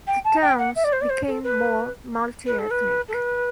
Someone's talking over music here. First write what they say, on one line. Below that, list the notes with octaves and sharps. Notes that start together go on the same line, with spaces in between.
The towns became more multiethnic.
G5
A5
G5
F#5
E5
D5
C5
D5
C5
A4
B4
B4
A4
B4
A4
B4